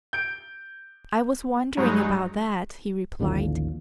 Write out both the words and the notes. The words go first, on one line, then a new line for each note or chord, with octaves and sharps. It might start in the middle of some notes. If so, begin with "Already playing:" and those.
"I was wondering about that," he replied.
G6 D7
G2 F#3 G#3 D#4
A1 D#2 D3 F3